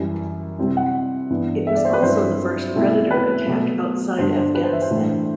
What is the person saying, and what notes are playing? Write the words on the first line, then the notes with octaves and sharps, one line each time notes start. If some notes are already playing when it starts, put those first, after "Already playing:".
It was also the first Predator attack outside Afghanistan.
Already playing: F#2 E3 G3
C3 G3 C4 E4
F#5
G2 E3 B3 E4
E5
D5
C5
B4
G2 F#3 C4 E4 C5
B2 A3 C4 E4
B4
B2 F#3 A3
G2 D3 G3 D4 C5
C5
B4
C5
E5
C5
A2 E3 A3 D4